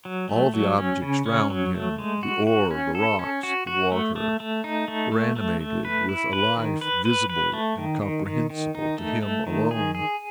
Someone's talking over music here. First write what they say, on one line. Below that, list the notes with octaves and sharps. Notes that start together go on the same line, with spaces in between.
All the objects round him--the ore, the rocks, the water--were animated with a life visible and comprehensible to him alone.
F#3
A3
F#3
C#4
C#3
C#4
F#3
A3
G#3
F#4
F#4
C#4
A4
C#4
F#4
F#4
A3
A3
A3
D#4
A3
A3
A3
A3
B4
E4
B4
D#3
B4
B4
B4
A3
D#3
D#3
D#3
D#3
D#4
A3
A3
D#3
G#4
G#4